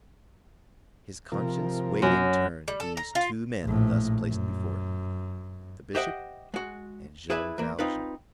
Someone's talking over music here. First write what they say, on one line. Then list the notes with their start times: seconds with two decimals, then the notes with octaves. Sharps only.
His conscience weighed in turn these two men thus placed before it,--the Bishop and Jean Valjean.
1.32 C3 F3 A#4
2.02 F#2
2.68 G3
2.80 A4
2.97 A#5
3.15 F4
3.63 A#1 A2
4.29 F#2
5.95 G4 C5 D#5 E5 F#5 G5
6.54 G#3 F#4
7.30 E4 G#4 B4 D5 E5
7.58 E3 A#3
7.79 C4 D#4 F4 B4